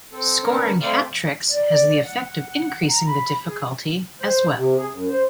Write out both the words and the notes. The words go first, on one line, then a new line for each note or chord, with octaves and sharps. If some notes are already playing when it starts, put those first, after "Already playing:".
Scoring hat tricks has the effect of increasing the difficulty as well.
C4 A4
B3 C#4 D4 A#4 C#5
A3 C4 D5 F5
D5
F#5
A#5
B5
G#4
C5
C3
G#4
F#2
C5